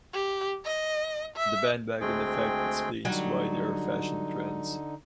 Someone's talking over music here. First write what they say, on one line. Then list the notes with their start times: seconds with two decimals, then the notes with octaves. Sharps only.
The bandwagon effect explains why there are fashion trends.
0.13 G4
0.65 D#5
1.36 E5
2.01 D2 G#3 A3 C4 G#4 G5
3.05 D3 F#3 G3 D#4